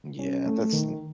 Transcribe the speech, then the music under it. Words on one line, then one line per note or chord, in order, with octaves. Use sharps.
Yeah, that's n
C#4
A3
D#3